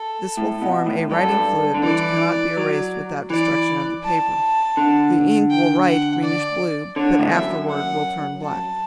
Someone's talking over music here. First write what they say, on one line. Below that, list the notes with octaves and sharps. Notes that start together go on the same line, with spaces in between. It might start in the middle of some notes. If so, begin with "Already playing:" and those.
This will form a writing fluid which cannot be erased without destruction of the paper. The ink will write greenish blue, but afterward will turn black.
Already playing: A4
A2
B2
A2
G2 A4
F#2
G2
D3
E3 D5
F#3
E3 D5
A5
D3
G5
F#5
D5
D3 C#5
A2
G2
F#2 E5
F#5
A5